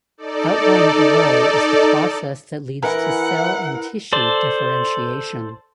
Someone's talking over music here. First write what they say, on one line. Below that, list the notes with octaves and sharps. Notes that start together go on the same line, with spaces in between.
Outlined below is the process that leads to cell and tissue differentiation.
D#4 A4 D5
E3 E4 A#4 F#5
A4 C5 D5